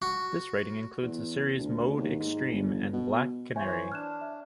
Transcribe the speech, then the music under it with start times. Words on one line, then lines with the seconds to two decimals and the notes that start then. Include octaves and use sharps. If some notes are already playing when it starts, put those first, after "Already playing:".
This writing includes the series "Mode Extreme" and "Black Canary".
0.02 F#4
1.02 E2
1.58 D2
1.97 D#2
2.19 G#2
2.52 G1
2.93 B2
3.56 E3 C5 C#5 E5 G#5
3.92 D4 F6 F#6 E7
4.21 E5